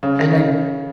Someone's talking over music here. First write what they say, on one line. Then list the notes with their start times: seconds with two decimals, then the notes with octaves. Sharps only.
And I
0.03 C#3
0.30 C#3